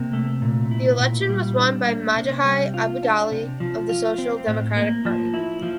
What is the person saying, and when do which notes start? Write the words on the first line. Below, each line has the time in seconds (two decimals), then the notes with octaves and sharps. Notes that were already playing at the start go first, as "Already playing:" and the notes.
The election was won by Magaji Abdullahi of the Social Democratic Party.
Already playing: C3 A#3
0.13 A3
0.42 A#2
0.71 E4
1.00 A#2
1.29 G3
1.58 D4
1.87 A#3
2.16 C3
2.44 G3
2.74 F4
3.03 D4
3.31 C3
3.60 F3
3.89 F4
4.18 C4
4.47 A2
4.76 A#3
5.05 F3
5.34 E4
5.63 F3